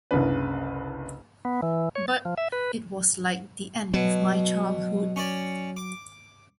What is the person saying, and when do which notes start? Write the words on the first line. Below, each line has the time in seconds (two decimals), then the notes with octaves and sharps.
But it was like the end of my childhood.
0.11 F#1 C2 C#3 D4 B4
1.45 B3
1.62 E3
1.95 C#5
2.08 A6
2.25 F3
2.37 E5
2.52 B4
3.94 B2 F#3
5.16 C#4 C#5 D5
5.77 D6